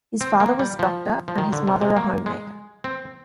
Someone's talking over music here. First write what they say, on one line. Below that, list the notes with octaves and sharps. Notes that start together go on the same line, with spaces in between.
His father was doctor and his mother a homemaker.
C4
A#3
G3
F3
F3
D#3
D3
C3
C3
A#3
G#3
C4